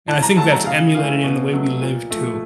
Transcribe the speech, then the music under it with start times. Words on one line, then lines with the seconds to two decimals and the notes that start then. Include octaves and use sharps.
And I think that's emulated in the way we live, too.
0.07 A2 A5
0.23 A#5
0.37 F#3 A3 A5
0.52 A#5
0.66 C#3 F5
0.95 E3 A3 F5
1.23 B2
1.53 F#3 A3
1.81 A#2
2.11 F3 A3